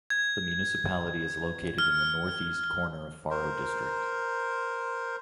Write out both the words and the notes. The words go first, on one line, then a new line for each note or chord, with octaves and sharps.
The municipality is located in the northeast corner of Faro District.
G#6
F6
A#4 C5